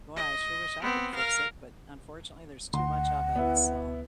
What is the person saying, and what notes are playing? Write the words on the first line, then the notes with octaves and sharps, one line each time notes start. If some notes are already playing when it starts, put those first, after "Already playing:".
boy, I sure wish I could fix it, but unfortunately there's too much of it, so
D#5
B3 C4
A#4 F5
D2 F#5 C6
B3 E4